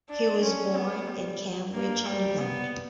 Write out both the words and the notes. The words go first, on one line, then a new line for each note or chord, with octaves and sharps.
He was born in Cambridge, England.
D4
C#4
B3
G3
A#3
G3
B3